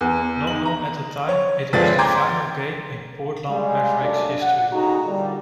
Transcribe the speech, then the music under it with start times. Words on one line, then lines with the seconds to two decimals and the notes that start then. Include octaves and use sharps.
Not known at the time, it was the final game in Portland Mavericks' history.
0.01 E2
0.47 D#4 F#7
0.65 A#5
1.29 C#5
1.73 G1 F3 G#3 C4 D5 A6
1.98 G5 A#5 C6 D6 G6 G#6
3.50 G3 G#3 F5
4.01 F#2 A3 D4 D5
4.42 F#5
4.72 A2 C#3 D#4 F#4 G#4 A#5
5.06 A#2 D3 G3